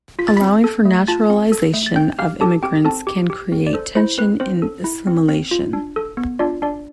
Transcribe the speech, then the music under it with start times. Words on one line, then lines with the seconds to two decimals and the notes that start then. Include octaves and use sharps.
Allowing for naturalization of immigrants can create tension in assimilation.
0.19 F4 B6
0.28 A6
0.37 C4 B5 B6
0.64 A4
0.85 A3
1.08 F4 A5 A6
1.30 C4
1.52 A4
1.74 A3
1.86 A6
1.96 C4 G5 G6
2.18 G4 F5 F6
2.41 G4 A4 A5
2.63 C4 G4 G5
2.85 C4 A4 A5
3.07 G4
3.30 G4
3.52 C4
3.67 D5
3.73 A4 C5
3.95 E4 C5
4.18 C4 B4
4.40 C4 C5
4.62 A4
4.84 E4
5.07 C4
5.29 C4
5.51 F4
5.73 D4
5.96 A4
6.17 B3
6.39 D4 F4 D5
6.62 D4 D5